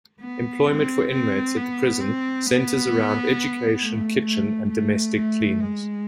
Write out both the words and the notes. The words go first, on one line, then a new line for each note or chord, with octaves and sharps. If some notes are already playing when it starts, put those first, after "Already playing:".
Employment for inmates at the prison centres around Education, Kitchen and Domestic Cleaners.
B3
C4
C4
B3
C4
B3
A3
A3
A3
A3
G#3